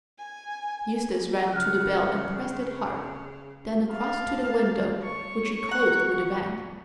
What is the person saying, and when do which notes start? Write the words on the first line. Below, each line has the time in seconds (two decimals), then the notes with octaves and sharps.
Eustace ran to the bell and pressed it hard; then across to the window, which he closed with a bang.
0.18 G#5
1.53 C#3 F6 F#6
3.91 F5 A5
5.02 C#5 C#6
5.69 F#5 A#5